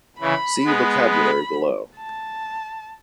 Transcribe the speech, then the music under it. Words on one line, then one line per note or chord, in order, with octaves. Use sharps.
See Vocabulary below.
C#3 E3 B5
G#3 B3
B5
A5